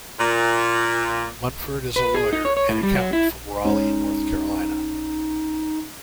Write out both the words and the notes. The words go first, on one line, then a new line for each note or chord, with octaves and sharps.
Munford is a lawyer and accountant from Raleigh, North Carolina.
A#2
B4
G#4
D#4
C#5
C#5
A2
G3
F#3
E4
G#3 C#4 D#4